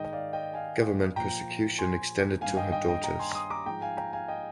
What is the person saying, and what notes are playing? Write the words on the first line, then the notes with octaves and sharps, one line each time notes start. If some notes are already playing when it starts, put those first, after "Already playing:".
Government persecution extended to her daughters.
Already playing: G#2 D#3 D#5 G5
D5 F5
D#5 G5
F5 G#5
A#2 F3 G5 A#5
G#5 C6
G2 D#3 F5 G#5
D#5 G5
D#5 G5
D#5 G5
G5 A#5
G#5 C6
C6 D#6
A#5 D6
G#2 F3 G5 A#5
F5 G#5
G5 A#5
F5 G#5
D#5 G5